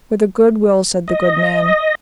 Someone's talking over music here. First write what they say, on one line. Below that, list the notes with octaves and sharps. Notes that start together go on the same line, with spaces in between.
With a good will, said the good man.
D#5